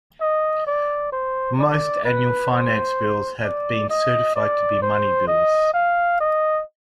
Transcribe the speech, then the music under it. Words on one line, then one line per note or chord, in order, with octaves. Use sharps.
Most annual Finance Bills have not been certified to be Money Bills.
D#5
D5
C5
D5
B4
C5
D5
D#5
D5
C5
D#5
F5
D#5